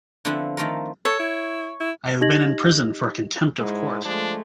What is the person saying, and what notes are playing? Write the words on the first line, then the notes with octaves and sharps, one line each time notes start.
I have been in prison for contempt of court.
D3 F3 B3 C4 E4
D#3 F3 A3 F4 A4 A#4
A4 C#5
E4
E4
D#4 G4 D#5 G#6 A#6 F#7
G#2 G#3 E4
F3 G#3 A3 D4